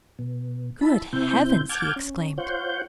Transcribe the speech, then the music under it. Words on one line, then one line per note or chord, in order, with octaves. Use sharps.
"Good heavens!" he exclaimed.
B2
E4 A5 B5
C3 C4 E4 G6
F#5 A5 D6 F6 G6 G#6
C#4
F4 C5 C#5 F#5 G6